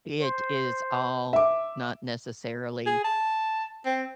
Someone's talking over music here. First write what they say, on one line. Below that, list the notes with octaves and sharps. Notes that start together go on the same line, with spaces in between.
it is all not necessarily,
C5
E5 D6
G#4
A5
C4